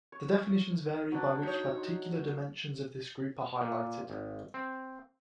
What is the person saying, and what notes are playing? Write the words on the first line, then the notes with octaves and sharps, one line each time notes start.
The definitions vary by which particular dimensions of this group are highlighted.
C#5
B2 F#3 D4
D#4 C#5
A#2
G#1
C4